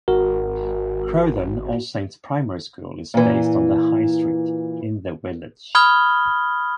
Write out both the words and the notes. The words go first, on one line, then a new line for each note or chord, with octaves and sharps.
Croughton All Saints Primary School is based on the High Street in the Village.
G#1 F#4 A#4
A#2 E3
B5 D#6 F6 G#6 G7